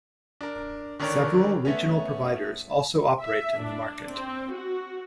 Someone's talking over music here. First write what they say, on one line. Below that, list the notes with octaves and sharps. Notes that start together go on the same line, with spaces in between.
Several regional providers also operate in the market.
D4 A#4
D3 D#3 C#4 D4 A#4 C#5
A3 B3 C#4
E5
D4
C4
F#4